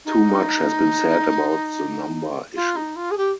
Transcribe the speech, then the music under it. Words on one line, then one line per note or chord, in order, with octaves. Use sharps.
Too much has been said about the number issue.
D#4
F4
D#4
F4
G#4
G4